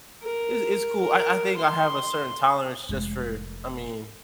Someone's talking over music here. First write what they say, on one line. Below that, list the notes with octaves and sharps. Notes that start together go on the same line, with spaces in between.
is is cool. I I think I have a certain tolerance just for I mean
A#4
A#4
C6
F1 G#3